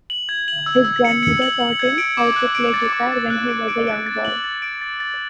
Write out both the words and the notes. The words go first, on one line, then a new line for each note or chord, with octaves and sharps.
His grandmother taught him how to play guitar when he was a young boy.
F#7
G#6
F#7
E6
E6
C#7
C#7
F#7
F#7
G#6
D7
D6
F#6
D7
A6
D6
A6
F#6
D7
D7
D7
A6
F#7
A6
D7
A6
A6